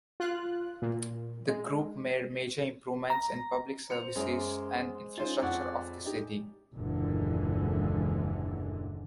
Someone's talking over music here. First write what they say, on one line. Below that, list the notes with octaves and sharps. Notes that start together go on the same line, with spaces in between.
The group made major improvements in public services and infrastructure of the city.
F4 F#6
A#2
G#3
A#5
C5 C#7 F7
F#2 G#3 C6 D6
C#4 D#4 F4 C5
F2 C#5 D5 F#5
D#4 G4
F#1 D#2 A#2 D3 E3 G#3